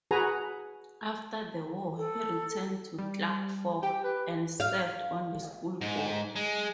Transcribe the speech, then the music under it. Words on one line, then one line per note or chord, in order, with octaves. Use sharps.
After the war, he returned to Clark Fork and served on the school board.
F#4 G#4 B4 G#5 A#5
A4
G3
G4 G5
B4
F5
G#2
G#3